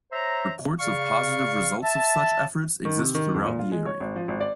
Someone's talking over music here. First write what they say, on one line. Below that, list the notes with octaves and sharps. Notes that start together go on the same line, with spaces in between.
Reports of positive results of such efforts exist throughout the area.
C5 C#5 E5 A#5
C#3 D5 F5 C#6 F6
E5 A5
D#3
C3
D#3
F2
A#2
F4
G#3
C#5
G#1
F3
G#1
D5